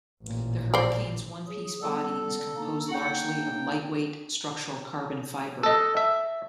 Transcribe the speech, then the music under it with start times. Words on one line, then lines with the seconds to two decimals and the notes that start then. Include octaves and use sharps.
The Hurricane's one-piece body is composed largely of light-weight structural carbon fiber.
0.22 A1 A#2
0.74 C5 D5
1.47 F#3 G#4
1.82 G3 B3 A4
2.56 A#3 D4 D#4
2.94 G5
5.63 A4 D#5
5.97 E5